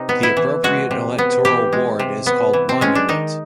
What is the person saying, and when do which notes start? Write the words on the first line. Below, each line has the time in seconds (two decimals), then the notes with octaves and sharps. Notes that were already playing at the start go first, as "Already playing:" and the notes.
The appropriate electoral ward is called 'Monument'.
Already playing: C3 D#4
0.09 B3
0.23 E4
0.37 E3
0.64 G#3 F#4
0.91 C3
1.18 B3
1.45 E3 G4
1.73 G#3
1.99 C3
2.26 B3
2.53 E3
2.69 C4
2.81 G#3 C#4
2.95 D4
3.09 D#3 D#4